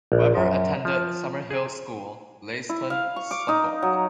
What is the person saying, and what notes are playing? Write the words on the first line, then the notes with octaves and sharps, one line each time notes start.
Weber attended Summerhill School, Leiston, Suffolk.
A#1
F#2
F3
G#4
E4
F5
C#6
D6
D#4
F#3